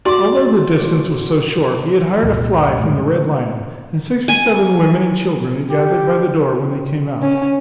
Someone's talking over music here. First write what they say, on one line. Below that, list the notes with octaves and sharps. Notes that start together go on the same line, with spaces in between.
Although the distance was so short he had hired a fly from the Red Lion, and six or seven women and children had gathered by the door when they came out.
F#4 D5 C6
C2 F2 A#2
A2 G#3
G#5
G4
C#4